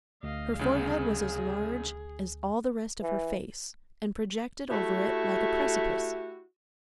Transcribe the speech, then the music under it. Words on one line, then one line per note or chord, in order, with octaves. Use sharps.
Her forehead was as large as all the rest of her face, and projected over it like a precipice.
D2 D#5 F5
C2 C#3 G#4
E3
A3 E4 F#4 G4